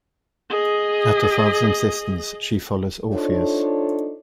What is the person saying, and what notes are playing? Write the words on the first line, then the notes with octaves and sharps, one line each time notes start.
At her father's insistence, she follows Orpheus.
G#4 D#5
D4 D#4 F4 A4 C5 C#5